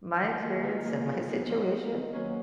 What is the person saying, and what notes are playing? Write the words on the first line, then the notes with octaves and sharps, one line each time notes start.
my experience and my situation,
D#3
A#3 F4 G#4
D#3
A#3 F4 G#4
F3
B3 D#4
F3
B3 D#4
D#3
F#3 A#3 C#4